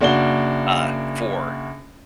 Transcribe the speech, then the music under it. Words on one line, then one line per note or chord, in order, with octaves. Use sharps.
uh, for
F#1 A#3 D4 F#4 F5 G7